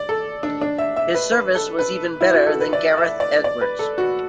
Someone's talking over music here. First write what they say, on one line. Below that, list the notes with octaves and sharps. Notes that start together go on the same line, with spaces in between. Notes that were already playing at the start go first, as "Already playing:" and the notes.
His service was even better than Gareth Edwards.
Already playing: D5
A4
D4
D4
E5
E5
B4
B4
A4
B4
E4
F#4
A4
B4
D5
E5
D5
D5
B4
A4
F#4